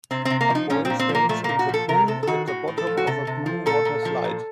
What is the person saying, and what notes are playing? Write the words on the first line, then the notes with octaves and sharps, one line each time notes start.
A boy stands in the pool at the bottom of a blue water slide.
C3 C4
C3 C4
A#3
F3 D#4
A#2 C#4
C4
A#2
C4
F3
A#3
A#2 A3
A#2 A#3
F#4
F3 A4
C3 A#4
C3 A4
A4
D#3 F#4
A2 F#4
A2
A4
F3
F#4
C3 A4
C3
F3
A#2 A4
A#2
F3
A#2